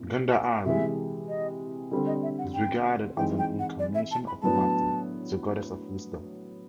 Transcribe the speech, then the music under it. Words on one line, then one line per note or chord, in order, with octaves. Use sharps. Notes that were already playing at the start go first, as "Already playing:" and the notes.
Gandhari is regarded as an incarnation of Mati, the goddess of wisdom.
Already playing: A#2 C4 E4
C3 E3 G#3 E5
D#5
D3 G3 C4
D#5
E5
F#5
G5
E3 G#3 C4 D#4 G5
G5
F#5
D5
E5
A5
B5
A2 F#3 B3 D4 A5